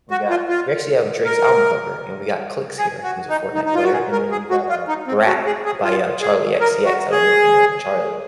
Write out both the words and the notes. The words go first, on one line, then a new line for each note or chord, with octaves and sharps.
we got we actually have Drake's album cover, and we got Clix here, who's a Fortnite player. And then we got, uh, Brat by, uh, Charlie XCX. I don't know if you know Charlie.
F#4
F4
F4
A#4
G#4
F#4
D#4
D#4
D#4
F4
F#4
G#4
A#4
G#4
F#4
F4
D#4
C4
F#4
G#4
G#4
F4
G#4
A#4
F#4
G#4